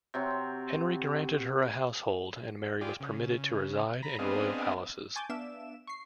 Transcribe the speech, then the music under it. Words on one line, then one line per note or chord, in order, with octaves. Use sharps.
Henry granted her a household and Mary was permitted to reside in royal palaces.
C3 F#3 C4
F4 G4 G#4 D5
C#3
A#5 B5
B3 C4 D4 G#4 D#5 F5
G#5 A5 C#6 D6 G6 A6
B3 D4 E5 F5 D7 E7
C#6 C7